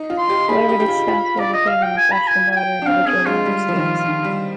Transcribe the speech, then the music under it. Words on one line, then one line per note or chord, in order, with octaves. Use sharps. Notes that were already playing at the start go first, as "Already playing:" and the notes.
However, this stance was occasionally questioned by other individual member states.
Already playing: D#4
F4
C6
G4
G#4 B5
G4
G4
F4
F4
F4 D5
D#5
F5
G5
G#5
B5
G#5
G#5
G5
D4
C4 F5
C4 G#4
G#3 F4
G3
F3
D#3
D#3
G3